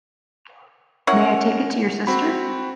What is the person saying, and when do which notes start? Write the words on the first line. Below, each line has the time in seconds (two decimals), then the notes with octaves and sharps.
May I take it to your sister?
1.07 C#4 E4 A#4 C#5 F#5
2.07 C4 F#4 B5